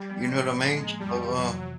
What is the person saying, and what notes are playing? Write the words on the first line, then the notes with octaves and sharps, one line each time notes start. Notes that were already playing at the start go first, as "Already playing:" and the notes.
you know what I mean? So, uh,
Already playing: G3
F3 G#3 B3
A2
F3 A#3
A2 G#3
F3 A#3
F2 G3
C3 E3
F2 F#3
C3 E3